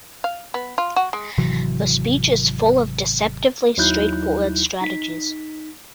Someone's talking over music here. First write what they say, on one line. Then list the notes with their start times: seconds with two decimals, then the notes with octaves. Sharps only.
The speech is full of deceptively straightforward strategies.
0.24 F5
0.54 B3
0.78 F4
0.96 F#4
1.13 G#3
1.38 G#1 C3 E3 F#3
3.77 D#2 F#3 D#4 E4 F#6 G6
4.81 D#4 B6